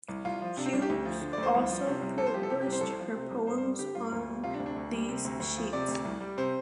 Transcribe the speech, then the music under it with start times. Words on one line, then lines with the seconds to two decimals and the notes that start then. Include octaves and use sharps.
Hughes also published her poems on these sheets.
0.09 C2
0.25 C2 F4
0.41 F3
0.57 C3 D4
0.66 C4
0.73 C2 D4
0.82 G4
0.89 D2
1.05 F3
1.21 D3
1.33 D5
1.38 D2 C5
1.54 C2
1.70 F3
1.86 C3
2.02 C2
2.18 C2 A4
2.26 C5
2.34 F3 G4
2.43 A4
2.50 C3 G4
2.61 G4
2.67 C2
2.73 C5
2.81 C2 A4
2.90 C5
2.99 F3
3.16 C3
3.31 C2
3.47 G2 C5
3.58 C5
3.63 G3
3.79 D3 G4
3.95 G2 F4
4.12 D2
4.28 G3
4.44 C3 F4
4.54 D4
4.60 D2
4.66 D4
4.76 D2
4.92 G3
5.09 C3
5.25 D2
5.40 D2
5.57 F3
5.73 C3 D5
5.88 D2
6.05 C2
6.21 G3
6.38 C3 C5